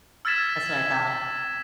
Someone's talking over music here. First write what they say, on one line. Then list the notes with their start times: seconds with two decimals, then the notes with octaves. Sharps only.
That's what I thought.
0.25 E6 F6 G#6 A6 B6 E7